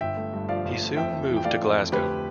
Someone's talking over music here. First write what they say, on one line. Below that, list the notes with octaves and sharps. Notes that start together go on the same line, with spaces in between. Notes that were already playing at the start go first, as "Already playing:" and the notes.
He soon moved to Glasgow.
G1 E5 G5
A3
G2
F3 D5 F5
G1
A3
F2 E5 G5
F2
E3
G5
A3 D5 F5
F2
F2
D2 G4 B4